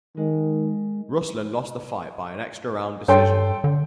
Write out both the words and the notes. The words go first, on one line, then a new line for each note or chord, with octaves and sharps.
Ruslan lost the fight by an extra round decision.
D#3 G#3
G2 A4 C#5 G5 C6
D3